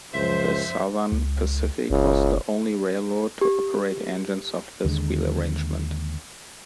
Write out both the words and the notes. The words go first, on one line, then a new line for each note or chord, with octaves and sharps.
The Southern Pacific was the only railroad to operate engines of this wheel arrangement.
C#2 F#2 F3 C5 E5
C#2
F#1 C#2
G4
D#2 D3 G3 G#3